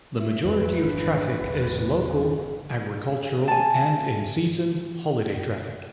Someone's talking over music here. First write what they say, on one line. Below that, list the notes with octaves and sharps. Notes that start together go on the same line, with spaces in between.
The majority of traffic is local, agricultural and, in season, holiday traffic.
E5
F2 B4
G#1 D4
G1 E2
G#5 A5